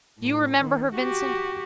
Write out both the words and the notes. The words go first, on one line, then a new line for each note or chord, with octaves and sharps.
Do you remember her, Vincent?
A2
D#3
F#4 G4